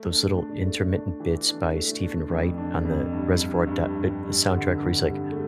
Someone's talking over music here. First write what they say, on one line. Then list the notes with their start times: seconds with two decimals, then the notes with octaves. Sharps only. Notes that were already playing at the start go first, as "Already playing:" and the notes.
those little intermittent bits by Stephen Wright on the Reservoir Do e soundtrack where he's like,
Already playing: A3
0.10 D4
0.37 D4
0.66 A3
0.92 D4
1.20 E3
1.48 D4
1.75 A3
2.03 D4
2.30 F2
2.58 D4
2.85 F2
3.13 G2
3.40 G2
3.67 G2
3.95 G2
4.23 G2
4.51 D3
4.78 G2
5.06 G2
5.32 A3